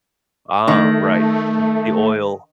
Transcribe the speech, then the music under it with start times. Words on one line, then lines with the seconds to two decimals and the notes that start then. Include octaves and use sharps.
Ah, right. M the oil.
0.68 D#3 A3